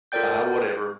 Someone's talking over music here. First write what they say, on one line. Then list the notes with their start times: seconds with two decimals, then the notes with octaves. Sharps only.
buy whatever."
0.12 F4 A4 A#4 D5 G5 G6